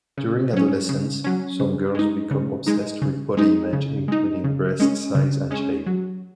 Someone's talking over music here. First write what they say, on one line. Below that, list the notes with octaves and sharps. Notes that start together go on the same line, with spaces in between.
During adolescence, some girls become obsessed with body image including breast size and shape.
C#3
F#3 C#4
C#3
F#3 C#4
C#3
G#3 D#4
C#3
G#3 D#4
C#3
G#3 D#4
C#3
G#3 D#4
C#3
G#3 C#4
C#3
G#3 C#4
F#3